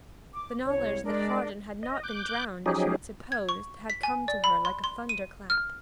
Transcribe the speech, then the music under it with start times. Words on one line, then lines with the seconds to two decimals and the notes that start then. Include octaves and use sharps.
The knowledge that Hawdon had not been drowned as she had supposed, had come to her like a thunderclap.
0.33 D6
0.65 C2 C#5
1.04 G#3 D4 A#4 D5
1.83 D#5
2.03 D6 F#6 G6
2.66 F3 F#3 C#4 D#4 G4 G#4
3.32 G#6
3.49 C#6
3.90 B6
4.03 G#5
4.28 D5
4.44 B5
4.65 C6
4.84 C6
5.09 D#7
5.50 F6